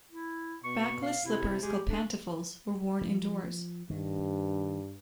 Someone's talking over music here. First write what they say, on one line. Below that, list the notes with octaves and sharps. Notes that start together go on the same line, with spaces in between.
Backless slippers called "pantofles" were worn indoors.
E4
B2 C#6
F5
C3 E4
G#3 G4
A3 D4
F3
G2 D#3